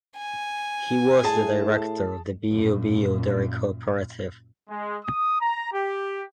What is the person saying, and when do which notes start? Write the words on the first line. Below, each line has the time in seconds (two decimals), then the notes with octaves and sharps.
He was the director of the Bío Bío Dairy Cooperative.
0.17 G#5
1.24 A2 G#4 A5
2.50 F#2 A#2
4.70 G#3
5.05 D#6
5.41 A#5
5.73 G4